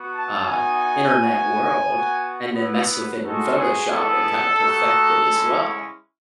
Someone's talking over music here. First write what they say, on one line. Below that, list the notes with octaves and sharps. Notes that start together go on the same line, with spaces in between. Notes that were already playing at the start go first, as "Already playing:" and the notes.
uh, internet world and then mess with it in Photoshop and kinda perfect it as well.
Already playing: B3 F#4
A5
B3 D#4 F#4 G#5
B3 F#4
B3 F#4
B3 E4 B4
G#3 D#4 F#4 A4
G#4
G#3 B3 E4 A4
A3 D#4 F#4
G#3 C#4 E4